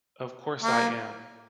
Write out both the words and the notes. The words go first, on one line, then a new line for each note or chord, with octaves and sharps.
Of course I am!
A#3